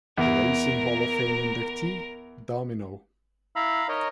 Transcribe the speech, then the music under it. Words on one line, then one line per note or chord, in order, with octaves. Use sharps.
Racing Hall of Fame inductee, Domino.
E2 A#4
E4 F5 A#5 B5
D#4 A#4 C#5 D#5